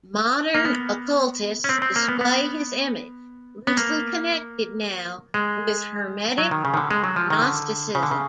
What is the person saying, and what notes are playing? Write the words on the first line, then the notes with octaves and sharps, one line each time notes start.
Modern occultists display his image, loosely connected now with Hermetic gnosticism.
A#3
B3
C#4
C4
C4
A#3
B3
B3
B3
A#3
G#3
F#3
D#3
C#3
D#3
D3
G#3
F#3
F3
D#3
D3
C#3
D3
C#3